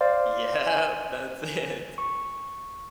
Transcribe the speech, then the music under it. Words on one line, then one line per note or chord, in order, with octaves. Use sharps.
Yep, that's it.
C5 D5 F5 C6
G#5
C#6